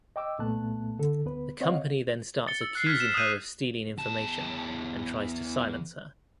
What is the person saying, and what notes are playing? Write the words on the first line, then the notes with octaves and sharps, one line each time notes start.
The company then starts accusing her of stealing information and tries to silence her.
D#5 G5 D6 E6
C2 A#2 A3 B3 A5 F#6
D3 A4
D2 B3 B4
C4 C#5 D#5 F5 F#5
A6 C#7 G7
E6
F#6 C7
F6 G#6 B6
E7
D#6 E6 F#6 G6 D#7
E2 A5